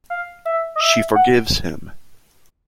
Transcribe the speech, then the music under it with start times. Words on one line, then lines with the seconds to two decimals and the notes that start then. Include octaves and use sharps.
She forgives him.
0.10 F5
0.45 E5
0.76 D#5
0.80 E5
1.15 F#5